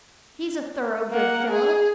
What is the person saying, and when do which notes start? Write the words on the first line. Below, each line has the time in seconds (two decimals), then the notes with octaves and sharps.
He's a thorough good fellow.
1.11 A#3 F#5
1.49 G#4